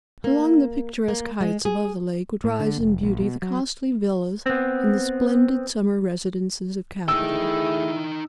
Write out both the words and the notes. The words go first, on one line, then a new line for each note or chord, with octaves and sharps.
Along the picturesque heights above the lake would rise in beauty the costly villas and the splendid summer residences of capital.
A#3
A#3
G#3
G#4
A2
D3
F1
A#1
B2
F#3
B3 C4
A3 D#4 E4 G#4 G5 E6